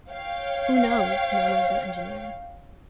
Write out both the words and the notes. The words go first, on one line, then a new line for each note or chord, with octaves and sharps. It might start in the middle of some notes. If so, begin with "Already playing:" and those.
"Who knows?" murmured the engineer.
C#5 F5 G5